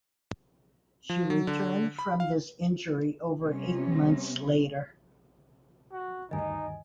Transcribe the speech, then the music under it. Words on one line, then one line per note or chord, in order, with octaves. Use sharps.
She returned from this injury over eight months later.
F3
F#3
D3
B5
F5
C3 G3 B3 C#4
F#4
D2 G2 D#3 D#4 D#5 G#5